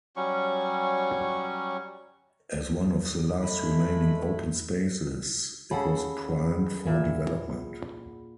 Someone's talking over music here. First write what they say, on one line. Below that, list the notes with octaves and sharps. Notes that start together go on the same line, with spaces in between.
As one of the last remaining open spaces it was primed for development.
F#3 G3 C#4 C#6
G#3 A3 B5
C#3 G#4 A4 F#5 B5
A#2 E5